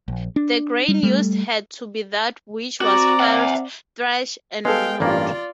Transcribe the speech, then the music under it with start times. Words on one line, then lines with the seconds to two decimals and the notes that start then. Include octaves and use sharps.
The grain used had to be that which was first thresh and winnowed.
0.08 A#1
0.36 D4
0.88 G3
1.03 G3 A3
2.81 C4 F#4 D5 A#5
3.20 E5 F#5
4.65 G#3 B3 A4 F5 G5
5.00 A1 G2 A#3 F4 D5